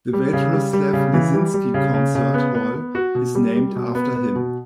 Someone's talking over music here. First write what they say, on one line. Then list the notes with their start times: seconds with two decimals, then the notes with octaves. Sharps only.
The Vatroslav Lisinski Concert Hall is named after him.
0.13 G3
0.33 C#3
0.53 G3
0.73 G3
0.93 C#3
1.13 E3
1.34 G3
1.54 G3
1.74 C#3
1.94 C#3
2.15 C#3
2.34 B3
2.55 B3
2.75 B3
2.95 F#4
3.15 B2
3.35 G3
3.56 G3
3.76 B2
3.95 B3
4.15 B3
4.35 B2